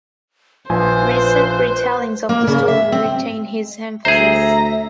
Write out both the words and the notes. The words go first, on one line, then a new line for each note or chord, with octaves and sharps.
Recent re-tellings of the story retain his emphasis.
A#1 F3 B4 C5 G#5
A#3
C#3
E5
C4
D2 G#4 C5 E5 A#5